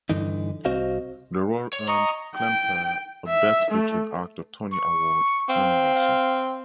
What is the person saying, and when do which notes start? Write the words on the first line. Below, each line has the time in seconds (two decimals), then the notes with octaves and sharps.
The role earned Klemperer a Best Featured Actor Tony Award nomination.
0.10 G2 D3 E3 D#4
0.65 C2 C4 F#4 C5 D#5 F5
1.73 C#5
1.88 D#5 A#5 C#6
2.36 G5
3.28 E5
3.71 A3
4.73 C#6
5.49 C4 F5
5.94 F5